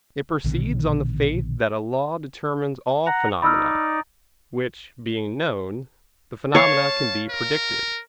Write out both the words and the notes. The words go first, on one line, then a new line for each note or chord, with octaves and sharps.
It proceeds on the faith that a law determines all phenomena, which being known, the phenomena can be predicted.
A#1 B2 D3 D#3
F#5 A#5
D#4 D5 B5 E6 F6
C#5 F5 A5
A#4